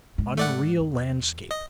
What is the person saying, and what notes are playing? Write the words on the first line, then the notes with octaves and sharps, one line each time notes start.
Unreal landscape!
G#2
A3 D5 F#5
E2
D#5